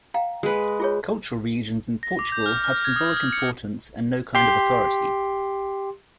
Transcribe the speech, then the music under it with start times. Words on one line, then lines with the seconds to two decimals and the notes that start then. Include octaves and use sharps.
Cultural Regions in Portugal have symbolic importance and no kind of authority.
0.14 F5 G5 A#5
0.43 G#3 B4
0.80 F4 G#4 C#5
2.03 A#6
2.19 D6
2.32 G6
2.46 F6
2.64 F6
2.85 G#6
2.96 D#6
3.17 F6
3.33 C#7
4.35 G4 C6